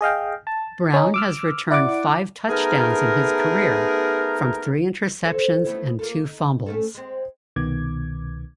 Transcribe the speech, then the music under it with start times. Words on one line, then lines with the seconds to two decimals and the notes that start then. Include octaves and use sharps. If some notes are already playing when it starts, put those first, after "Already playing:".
Brown has returned five touchdowns in his career, from three interceptions and two fumbles.
0.01 G#4 D#5 F5 G5
0.47 A5
0.94 C#4 D#4
1.14 D6 E6 F6
1.71 E4 D5 F#5 D6
2.49 A3 B3 D#4 G#4 A#4
5.24 A4 C5 C#5
5.65 A3 B3 E4
5.99 A#3 F4 A4
6.25 D#4
6.66 A3 C#4 A4
6.95 G#3 C4
7.56 C2 B2 D#3 B3 D6 G#6